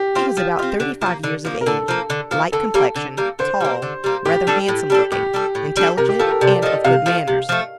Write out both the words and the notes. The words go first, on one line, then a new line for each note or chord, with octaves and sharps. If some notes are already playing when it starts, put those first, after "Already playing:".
He was about thirty-five years of age, light complexion--tall--rather handsome-looking, intelligent, and of good manners.
Already playing: G4
C4 F4
F3
C4 F4
D3
F3 A#3
D3
F3 A#3
A#4
D3 A4
F3 A#3
D3
F3 A#3
D3 A4
G3 A#3
D3
G3 A#3
D3 C5
G3 A#3
D3
G3 A#3
A2 G4
G3 D4 A4
A2
G3 D4 A4
A2 G4
G3 D4 A4
A2
G3 D4 A4
C3 A#4
G4
F3 A3 A4
A#4
C3 D5
F3 A3 D#5
C3 F5
F3 A3
C3
F3 A3